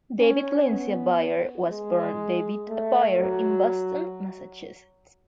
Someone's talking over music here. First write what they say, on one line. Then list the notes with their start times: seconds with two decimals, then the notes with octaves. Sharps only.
David Lindsay-Abaire was born David Abaire in Boston, Massachusetts.
0.19 C#4
0.69 B3
1.69 G#3
2.68 A3
3.18 F#3